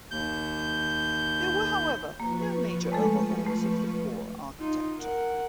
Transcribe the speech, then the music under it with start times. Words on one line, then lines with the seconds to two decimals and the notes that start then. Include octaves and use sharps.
There were, however, no major overhauls of the core architecture.
0.11 D#2 G6
2.20 F3 A#3 B4 C#6
2.92 G#3 A3 A4
3.46 A3
4.59 D#4 F4
4.99 A#4 F#5